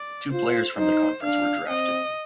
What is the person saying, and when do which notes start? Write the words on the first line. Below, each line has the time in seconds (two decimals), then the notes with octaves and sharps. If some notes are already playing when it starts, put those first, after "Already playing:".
Two players from the conference were drafted.
Already playing: D5
0.33 F4 C5
0.78 D#4 C5
1.23 D4 F5
1.69 C4 D#5